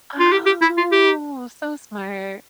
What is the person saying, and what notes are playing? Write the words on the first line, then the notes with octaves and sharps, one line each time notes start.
Oh, so smart.
F4
G4
G4
E4
F4
G4